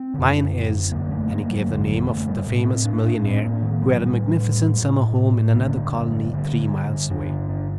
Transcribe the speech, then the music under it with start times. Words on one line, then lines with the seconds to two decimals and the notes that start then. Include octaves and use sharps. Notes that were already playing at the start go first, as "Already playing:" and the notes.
"Mine is ----," and he gave the name of the famous millionaire who had a magnificent summer home in another colony, three miles away.
Already playing: C4
0.14 F#2 D3
0.92 F#2 D3 A#3
1.11 A3
1.30 A#3
1.49 F#3
1.69 F#2 D3 F#3
1.88 F#3
2.08 A3
2.28 G3
2.46 A2 A3
2.66 C4
2.85 D4
3.04 D4
3.24 A2 C4
3.43 A#3
3.62 D#3
3.82 F#3
4.01 A2 G3
4.78 A2
5.55 G2 D3 A#3
6.34 G2 D3
7.10 G2 D3 D4
7.30 D4
7.49 D4